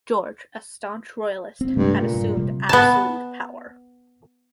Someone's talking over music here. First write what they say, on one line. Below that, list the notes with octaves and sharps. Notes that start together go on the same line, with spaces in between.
George, a staunch royalist, had assumed absolute power.
C4
G2 C3 G#3 A3
A#2
G2
C3 G3
B3 A5